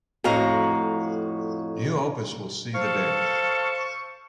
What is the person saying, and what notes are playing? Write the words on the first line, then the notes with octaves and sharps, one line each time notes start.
New opus will see the day.
F2 A2 F#4 F5 A#5
A4 C5 F5 C#6